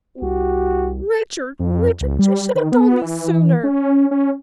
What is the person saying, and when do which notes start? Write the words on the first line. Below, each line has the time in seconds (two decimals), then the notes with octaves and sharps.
'Oh! Richard, Richard, you should have told me sooner!'
0.22 C2 F#4 G4
1.59 F2
2.01 C#2
2.19 G3
2.55 D#3
2.72 B3
3.02 E3
3.64 C#4
4.11 C#4